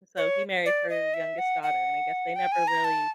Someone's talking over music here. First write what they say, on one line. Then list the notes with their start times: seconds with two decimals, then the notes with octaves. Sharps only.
So, he married her youngest daughter, and I guess they never really
0.17 C#5
0.65 D5
0.89 D#5
1.14 E5
1.38 F#5
1.63 F#5
2.36 G5
2.52 G#5
2.67 A#5
2.84 A5